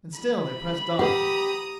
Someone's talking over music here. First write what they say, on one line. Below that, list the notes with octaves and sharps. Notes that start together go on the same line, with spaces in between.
And still they pressed on.
B5
G4 B4 F#5 A#5 D#6